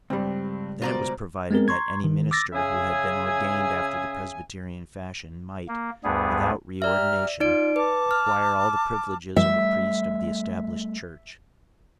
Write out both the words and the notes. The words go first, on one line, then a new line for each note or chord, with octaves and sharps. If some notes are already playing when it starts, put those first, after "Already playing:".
Then it was provided that any minister who had been ordained after the Presbyterian fashion might, without reordination, acquire all the privileges of a priest of the Established Church.
C#2 G2 G3 C4
B2 F4 A#4 C5 D5
G#3 B3 C4 G#4 A#4
A#5 C6 C#6 G#6
D#3
D6 E6 A6 A#6
C#3 C#4 G#4 E5 G#5
A#3
D2 G2 G3 B3 G#4
G4 D5 E5 A#5 F6
D#4 F4 D5 D7
B4 A5 D6
F6
G3 A3 E5